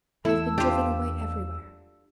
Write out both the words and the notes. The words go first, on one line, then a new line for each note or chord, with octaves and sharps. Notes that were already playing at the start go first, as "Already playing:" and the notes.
"I have been driven away everywhere."
E2 E4 A4 E6
D4 F4 G4